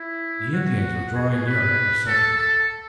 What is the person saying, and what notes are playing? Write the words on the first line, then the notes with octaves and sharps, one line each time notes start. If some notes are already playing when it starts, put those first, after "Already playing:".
The Indians were drawing nearer every second now.
Already playing: E4
F#4
G#4
B4
A4
A4